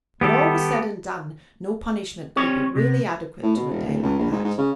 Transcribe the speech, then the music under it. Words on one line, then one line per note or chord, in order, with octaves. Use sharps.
When all was said and done no punishment could be really adequate to a day like that.
D#3 G3 B3 G4 A4
G3 C4 C#5
C3
A2
B2
E1
D1
C#2
A#1
G#2
G#2
C#3